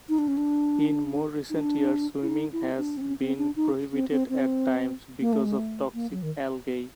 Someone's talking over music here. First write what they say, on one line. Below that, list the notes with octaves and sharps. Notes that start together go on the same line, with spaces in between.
In more recent years, swimming has been prohibited at times because of toxic algae.
D#4
D4
C#4
D4
D#4
D4
E4
D#4
E4
D4
C4
C#4
C4
D4
D#4
C4
C4
C4
A#3
A3
G#3
A3
A#3
F#3
D#3